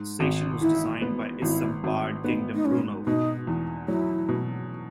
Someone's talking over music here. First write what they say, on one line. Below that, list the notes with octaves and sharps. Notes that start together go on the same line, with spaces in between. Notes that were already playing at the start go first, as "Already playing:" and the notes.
The station was designed by Isambard Kingdom Brunel.
Already playing: G#2
G#1
E3 E4
B3
G#1 E4
G#1
B3 D#4
D#4
G#2 C#4
B2 D#4
E2
F#3 E4
B2